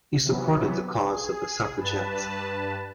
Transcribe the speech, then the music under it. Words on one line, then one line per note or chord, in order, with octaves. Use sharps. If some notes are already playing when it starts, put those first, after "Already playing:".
He supported the cause of the Suffragettes.
C3 E3 F#3 B3
G#4
G2 B4 A5